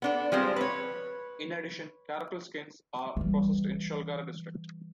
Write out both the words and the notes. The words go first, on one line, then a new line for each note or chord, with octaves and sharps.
In addition karakul skins are processed in Sholgara District.
B3 D4 A4
F3 G3 G#3 C4
B4 C#5
E3 G3